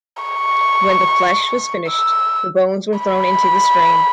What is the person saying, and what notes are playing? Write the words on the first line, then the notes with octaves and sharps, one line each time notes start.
When the flesh was finished the bones were thrown into the stream.
C#6
E6
B5